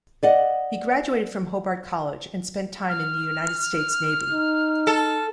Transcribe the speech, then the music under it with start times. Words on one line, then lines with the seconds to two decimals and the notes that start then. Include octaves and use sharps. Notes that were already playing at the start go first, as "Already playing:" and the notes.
He graduated from Hobart College and spent time in the United States Navy.
0.23 D5 D#5 F#5
2.89 F6
4.31 D#4
4.87 A4